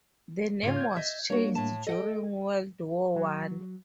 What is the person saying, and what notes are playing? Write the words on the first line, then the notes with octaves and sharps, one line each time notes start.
The name was changed during World War One.
G#2 C#3 A#3 F4 C#5
G6 G#6
D#5 E5
G3 A#3 D4 F#4 C#5
A2 A5
A4 D#5 F#5 G5
F#3